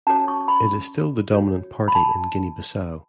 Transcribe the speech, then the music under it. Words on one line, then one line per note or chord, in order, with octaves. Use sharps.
It is still the dominant party in Guinea-Bissau.
C#4 F#4 A4 C#5 A5
C#6
B5
F#4 C#5
B5
A5